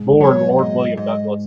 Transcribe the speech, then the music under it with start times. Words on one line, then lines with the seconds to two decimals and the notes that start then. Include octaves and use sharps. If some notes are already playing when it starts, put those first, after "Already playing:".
Born Lord William Douglas.
Already playing: G#2
0.21 F#3 C#5
0.50 F#5
0.58 G#2 D#5
0.97 G#2 D#5